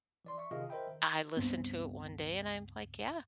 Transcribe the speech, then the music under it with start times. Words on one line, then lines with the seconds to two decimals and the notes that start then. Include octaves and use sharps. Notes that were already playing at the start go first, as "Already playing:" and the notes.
I listened to it one day and I'm like, "Yeah,
0.25 E3 D5 C6
0.38 E5 C#6
0.51 C3 D#3 F4 G#4 D#5 F5
0.69 A#4 C5 D#5 E5 G5 B5
0.87 D#3
1.37 C#2 G2 B3 C4